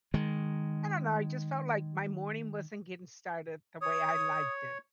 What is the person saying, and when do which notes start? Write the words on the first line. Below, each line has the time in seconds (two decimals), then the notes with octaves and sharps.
I don't know, I just felt like my morning wasn't getting started the way I liked it.
0.14 D#3 G#3
3.81 C#5 D#6